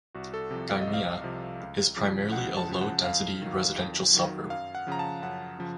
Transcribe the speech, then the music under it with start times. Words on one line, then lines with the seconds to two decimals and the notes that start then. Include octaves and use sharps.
Gymea is primarily a low density, residential suburb.
0.15 C2 F#4
0.34 A4
0.51 C3 F3
0.69 F5
0.81 D#5
0.87 C2
0.94 F5
1.24 C3 F3
1.60 C#2
1.96 C#3 F3
2.32 C#2 F#5
2.57 A5
2.69 C#3 F3
2.81 F#5
3.05 F2 F5
3.42 D#3 F#3
3.78 F2
4.14 D#3 F#3
4.50 F#2 F5
4.75 F#5
4.87 C#3 F3 A#5
4.99 A5
5.22 F#2 F#5
5.59 C#3 F3